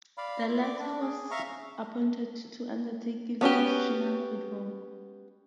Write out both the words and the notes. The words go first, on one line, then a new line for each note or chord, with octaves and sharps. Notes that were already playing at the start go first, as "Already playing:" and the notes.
The latter was appointed to undertake institutional reform.
D5 F5 B5
E4 F4
D5 D6
D4 D5
G#4
E5 F5 A#5 C#6
B3 C#4 F#4 G4